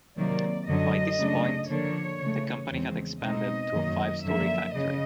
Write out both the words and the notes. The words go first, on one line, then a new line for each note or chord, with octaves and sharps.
By this point, the company had expanded to a five-story factory.
C3 D#3 F#3 A#3 D5
F#2 D3 F#3 D#5
C#3 F#3 A3 D4
D3 F3 A#3 D4 C#5
C#3 E3 A3
E2 C#3 F3 G#3 C4
B2 G#3 C4 D#4 D#5
F#2 D#3 F#3 A#3
F#2 D3 F3 A#3 E5
C#3 D#5